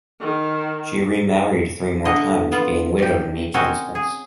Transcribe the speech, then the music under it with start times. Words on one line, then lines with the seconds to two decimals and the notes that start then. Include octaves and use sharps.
She remarried three more times, being widowed in each instance.
0.21 D#3
2.05 D3 A3 D#5
2.51 B3 F4
2.99 G4 D5
3.54 C4 C#4 F#4 A#4 D#5 G#5
3.95 G#4